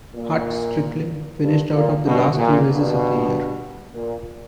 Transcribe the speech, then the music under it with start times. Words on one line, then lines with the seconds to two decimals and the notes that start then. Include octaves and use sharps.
Hut Stricklin finished out the last two races of the year.
0.15 A#2
1.42 G2
1.73 A#2
2.04 G2 B2
2.37 A#2
2.68 G2 B2
3.94 A#2